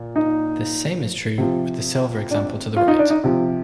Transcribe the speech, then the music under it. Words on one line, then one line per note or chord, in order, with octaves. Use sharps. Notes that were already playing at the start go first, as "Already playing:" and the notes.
The same is true with the silver example to the right.
Already playing: A#2
D#4
C3 F3
D4
F4
D#4
D4
D#4
C3 F3